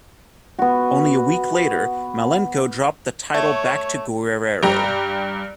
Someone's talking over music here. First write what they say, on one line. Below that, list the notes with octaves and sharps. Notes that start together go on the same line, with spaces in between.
Only a week later, Malenko dropped the title back to Guerrero.
B3 F#4
A3 C#5
G2 G4 A#5